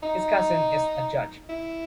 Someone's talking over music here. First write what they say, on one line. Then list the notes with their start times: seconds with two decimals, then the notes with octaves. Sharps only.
His cousin is a judge.
0.03 D#4
1.49 E4